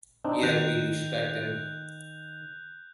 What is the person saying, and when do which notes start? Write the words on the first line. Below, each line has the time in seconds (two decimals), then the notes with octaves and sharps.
Yet we respect them.
0.24 C4 D4 D#4
0.43 D#3 F#6 G6 F7